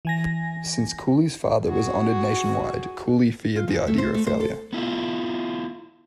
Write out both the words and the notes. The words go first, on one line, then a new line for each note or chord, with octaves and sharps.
Since Cooley's father was honored nationwide, Cooley feared the idea of failure.
E3 G#5 A#6
F#4 G#4
F4
E2
A3
C5
A3
C5
A4
B3 E4 F4